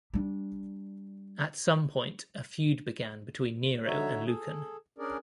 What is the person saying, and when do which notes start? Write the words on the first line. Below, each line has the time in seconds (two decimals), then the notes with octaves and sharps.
At some point, a feud began between Nero and Lucan.
0.14 G3 D4
3.86 D3 D#4 F#4 C#5 E5
4.26 G#4 A4
4.98 C#4 D4 G#4 A#4 D5